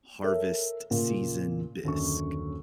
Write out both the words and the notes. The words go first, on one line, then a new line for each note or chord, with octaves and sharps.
harvest season bisque.
A4 A#4 C#5 E5
A#2 C#3 A#3
D#1 F#2 D3 C#6